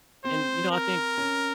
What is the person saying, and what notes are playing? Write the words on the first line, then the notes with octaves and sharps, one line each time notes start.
And, you know, I think
C4 C5
A#4
C#4